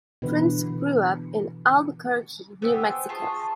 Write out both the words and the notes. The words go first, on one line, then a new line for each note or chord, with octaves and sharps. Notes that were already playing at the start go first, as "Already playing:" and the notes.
Prinze grew up in Albuquerque, New Mexico.
B2 D3 E3 B4
B3 G4 C5 G#5 E6
F4 G#4 A5 C#6 D#6